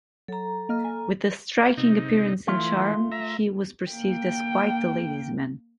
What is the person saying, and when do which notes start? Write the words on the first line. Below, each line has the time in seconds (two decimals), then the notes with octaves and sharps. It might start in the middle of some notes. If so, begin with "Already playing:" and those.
With a striking appearance and charm, he was perceived as quite the ladies man.
0.28 F#3 A4 A#5
0.69 A#3 D#5 F6
0.84 G#5
1.77 C3 D#4
2.47 E3 A3 F4
3.12 E5 A#5
3.91 A#3 G5